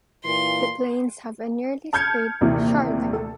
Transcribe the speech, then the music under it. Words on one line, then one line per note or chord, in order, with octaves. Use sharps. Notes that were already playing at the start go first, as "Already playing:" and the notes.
The plains have a nearly straight shoreline.
A#2 E3 A#3 C6
A5 F6 G6 G#6 C#7
A#1 D#2 C3 E3
A4